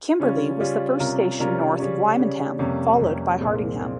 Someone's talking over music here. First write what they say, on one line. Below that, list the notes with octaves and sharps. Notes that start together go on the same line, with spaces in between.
Kimberley was the first station north of Wymondham followed by Hardingham.
C#3 G3 C#4 F4
C#3 G3 C#4 F4
C3 G3 C#4 F4 A#4
C3 G3 C#4 F4 A#4
C#3 G3 C#4
C#3 G3 C#4
F2 C3 G3 A#3 C#4
F2 C3 G3 A#3 C#4
C2 A#2 G#3 C4
A#2 G#3 C4